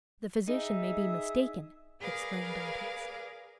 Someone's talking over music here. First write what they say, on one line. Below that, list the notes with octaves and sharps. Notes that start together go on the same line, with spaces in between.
"The physician may be mistaken!" exclaimed Dantes.
D#4 G#4 E5
G#4 A#4 B4 D5 F5